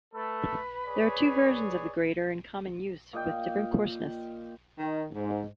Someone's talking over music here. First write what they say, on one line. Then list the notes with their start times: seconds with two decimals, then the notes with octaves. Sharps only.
There are two versions of the grater in common use with different coarseness.
0.14 A3 A4 B4 B5
0.85 G#4 C#5 D5
3.13 A#2 D#5 G5
4.79 D#3
5.15 G#2